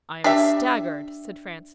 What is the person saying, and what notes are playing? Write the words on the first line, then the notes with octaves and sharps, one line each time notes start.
"I am staggered," said Francis.
D4 G4 E5